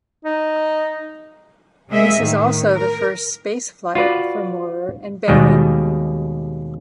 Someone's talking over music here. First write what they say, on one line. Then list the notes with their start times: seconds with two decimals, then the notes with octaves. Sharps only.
This is also the first spaceflight for Maurer and Barron.
0.25 D#4
1.89 C3 G#3 A#3 G#4 D#5 E5
2.19 A2 D#3
2.76 A#4
3.95 F4 F#4 B4 D5
5.28 D#2 B2 G3 G#3